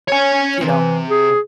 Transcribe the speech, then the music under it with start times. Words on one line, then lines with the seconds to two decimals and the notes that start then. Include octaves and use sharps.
you know,
0.08 C#5 G#5
0.61 C3 E3
1.10 G#4